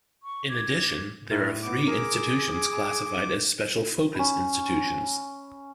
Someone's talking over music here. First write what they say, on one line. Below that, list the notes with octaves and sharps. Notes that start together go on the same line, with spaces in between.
In addition, there are three institutions classified as special-focus institutions.
C#6
D6 G#6
A2 A#4
B3 D6
G#4 A#4
C#4 B5